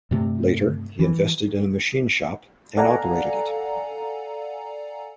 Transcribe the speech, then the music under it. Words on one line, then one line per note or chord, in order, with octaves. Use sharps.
Later, he invested in a machine shop and operated it.
G2 C3 A3
E3
A4 D5 F5 F#5 G#5 A#5